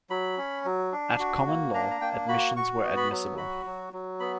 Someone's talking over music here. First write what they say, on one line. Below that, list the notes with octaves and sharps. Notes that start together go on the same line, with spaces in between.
At common law, admissions were admissible.
F#3 B5
C#4
F#3
D4
F#4
A#3
D4 A#5
A#5
A#3 G5
F#4 B5
F#4 C#6
B3
B5
F#3
F#4 B5
F#3
F#3
B3 B5